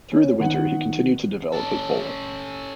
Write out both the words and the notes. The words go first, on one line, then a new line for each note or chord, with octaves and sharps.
Through the winter, he continued to develop his bowling.
C#4
D#3 B3 F#5
C#4 A4